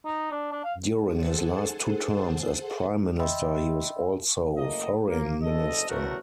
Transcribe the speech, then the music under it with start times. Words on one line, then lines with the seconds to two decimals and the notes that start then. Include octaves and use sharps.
During his last two terms as prime minister, he was also foreign minister.
0.05 D#4
0.31 D4
0.52 D4
0.64 F5
1.12 G#4 A4 C5 F#5 G#5 A5
3.19 D#5 E5 G5 B5 C6 E6
4.57 F#1 A3 A#3 D#5
5.07 A#3
5.42 F#1 D2 A4 D#5
5.89 A1 E2 F#3 A3 F#4 A#4